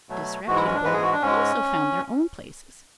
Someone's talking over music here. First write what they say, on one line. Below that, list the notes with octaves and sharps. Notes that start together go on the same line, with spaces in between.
The disreputable also found their own places.
B2 F#3 A3
G#2 E3 G#3 F#4
E4
C#4
D4
G#2 E3 G#3 B4
G#4
F#4
D4
G#2 G#3 C#4